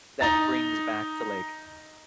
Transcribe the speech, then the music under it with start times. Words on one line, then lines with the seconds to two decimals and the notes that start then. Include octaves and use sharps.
that brings back to, like,
0.21 D#4 A#5 A6